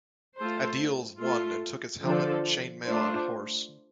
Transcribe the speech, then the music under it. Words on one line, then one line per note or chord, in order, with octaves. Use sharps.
Adils won and took his helmet, chainmail and horse.
A3 F4 A4 C5
A3 F4 A4
D3 F3 D4 A4
A3 D4 F4 C5